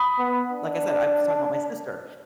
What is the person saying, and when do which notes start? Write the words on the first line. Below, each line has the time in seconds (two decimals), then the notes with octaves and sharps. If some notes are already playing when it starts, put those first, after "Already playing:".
like I said, I was talking about my sister.
Already playing: B5 D#6
0.19 B3
0.51 D4